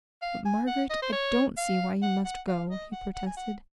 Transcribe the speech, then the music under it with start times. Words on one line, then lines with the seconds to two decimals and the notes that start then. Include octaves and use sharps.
"But, Margaret, I don't see why you must go," he protested.
0.22 F5
0.45 G#5
0.67 F#5
0.90 D#5
1.02 C5
1.13 C#5
1.57 F5
2.02 F#5
2.25 F#5
2.48 F5
2.70 D#5
2.92 F#5
3.15 F#5
3.27 G#5
3.37 F#5